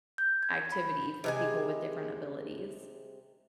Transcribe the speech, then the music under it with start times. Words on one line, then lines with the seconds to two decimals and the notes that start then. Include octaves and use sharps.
activity for people with different abilities.
0.18 G6
0.43 G#6
0.72 B5
1.24 C3 G#3 G#5